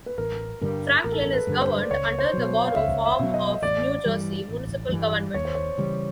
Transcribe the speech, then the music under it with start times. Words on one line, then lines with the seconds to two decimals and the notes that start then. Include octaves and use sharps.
Franklin is governed under the Borough form of New Jersey municipal government.
0.06 B4
0.18 A1 A#4
0.61 G2 D3 G3 A#4
1.04 A1 A#4
1.12 A4
1.19 A#4
1.33 B4
1.47 G2 D3 G3
1.62 C5
1.83 D5
1.90 C#2 C#5
2.19 C5
2.33 B2 F#3
2.68 F5
2.76 C#2 E5
3.05 E5
3.19 B2 F#3
3.34 D#5
3.62 A1 D5
4.06 G2 E3 G3
4.49 A1
4.92 G2 E3 G3
5.34 D#2 C#5
5.45 C5
5.55 C#5
5.78 C#3 E3 G3